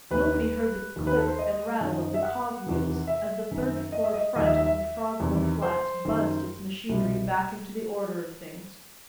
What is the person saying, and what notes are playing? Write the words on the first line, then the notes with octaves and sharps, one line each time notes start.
Nobody heard the click and rattle of the cog-wheels as the third-floor front of the Frogmore flats buzzed its machinery back into the Order of Things.
D#2 D#3 B4
D#2 D#3
B4
A4
C5
D#5
F#2 D#3
E5
F#5
E2 C3 D#3
E5
F#2 D#3
D#5
E5
D#5
D#2 D#3 D#5
E5
E5
E5
E2 C3 D#3
C5
F#2 D#3
C2 B2